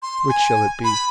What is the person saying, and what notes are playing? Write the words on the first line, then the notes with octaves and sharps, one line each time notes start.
Which shall it be?
C6
G#5
B5